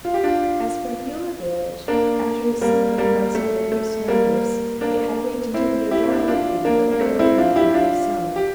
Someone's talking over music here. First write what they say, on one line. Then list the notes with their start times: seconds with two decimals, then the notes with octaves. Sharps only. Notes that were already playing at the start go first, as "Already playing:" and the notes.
As for Beulah village, after its sleep of months under deep snow-drifts it had waked into the adorable beauty of an early New England summer.
0.05 F4
0.14 G4
0.24 D4 F4
1.88 A#3 D4
2.61 G3 A#3
2.98 G3 A#3
3.35 A3
3.72 A3
4.08 G3 A#3
4.81 A#3 D4
5.54 C4 E4
5.91 E4 G4
6.03 C4
6.12 D4
6.20 E4
6.28 D4 F4
6.65 A#3 D4
6.91 A#3
7.01 A3 C4
7.19 C4 E4
7.38 D4 F4
7.56 E4 G4
7.74 D4 F4
8.36 G4